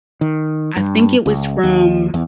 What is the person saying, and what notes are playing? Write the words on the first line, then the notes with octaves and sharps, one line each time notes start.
I think it was from,
D#3
G2
C#2
D#2
E2